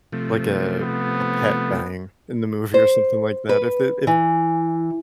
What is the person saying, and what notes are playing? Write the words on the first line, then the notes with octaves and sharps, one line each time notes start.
like a a pet dying in the movie or something like that, if it if
C3 F3 A3
B3
C5
B4
E3